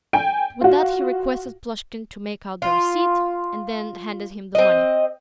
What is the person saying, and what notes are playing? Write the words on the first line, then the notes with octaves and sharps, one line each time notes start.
With that he requested Plushkin to make out the receipt, and then handed him the money.
G5 G#5 D7
F4 F#4
F4
C4 D#5